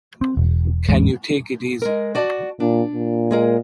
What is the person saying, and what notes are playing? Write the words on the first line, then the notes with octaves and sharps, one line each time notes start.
Can you take it easy?
C4
E1
A1 E2 G#2 G#3
G#3 A#4
F#4 D5 A5
A#2 D4
A#2
G#3 G#4 A#4